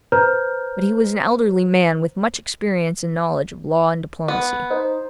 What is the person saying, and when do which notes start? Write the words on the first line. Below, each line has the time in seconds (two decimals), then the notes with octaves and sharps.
But he was an elderly man with much experience and knowledge of law and diplomacy.
0.12 B4 C5 A#5 F6 G6
4.28 B3
4.71 D#4 C5